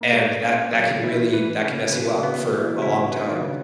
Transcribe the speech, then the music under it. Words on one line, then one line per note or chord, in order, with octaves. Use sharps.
And that that can really that can mess you up for a long time,
A#3
G#3 B4
C#4
F#3
E3 E4
E3 B4
C#3 C#4
C#3
B2 B4
C#3
B2 B3
A#2
E3
C#3
B2 E4
B4
D#3
C#3 B3